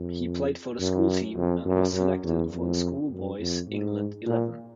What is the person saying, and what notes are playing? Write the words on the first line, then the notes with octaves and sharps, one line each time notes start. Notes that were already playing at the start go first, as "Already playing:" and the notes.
He played for the school team and was selected for the schoolboys' England eleven.
Already playing: F2
F#2
F2
F#2
F#2
E2
F2
F#2
F2
G#2
A#2